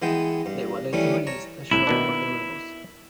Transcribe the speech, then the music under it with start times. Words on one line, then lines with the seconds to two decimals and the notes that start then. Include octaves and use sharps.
They were later released ashore by the rebels.
0.02 E3 G#3 B3 G5 A5
0.46 G2
0.93 E3 G3 A3 C#4 D4
1.27 C#5 A5 A#5
1.71 C2 A2 E4
1.87 B2 D#3 D4